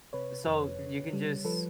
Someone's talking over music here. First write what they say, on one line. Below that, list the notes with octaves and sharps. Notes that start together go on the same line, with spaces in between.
So you can just
C3 B4 C#5
F2
C#3
G3
F3 A4 B4